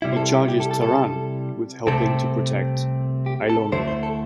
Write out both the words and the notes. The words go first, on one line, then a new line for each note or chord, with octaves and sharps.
He charges Taran with helping to protect Eilonwy.
C3 G3 E4
C5
A4
G4
G4
A4
A4
A4
C2 C3 A3 C4 A4
G4
A4
D2 D3 A3 E4 C5
C5
A4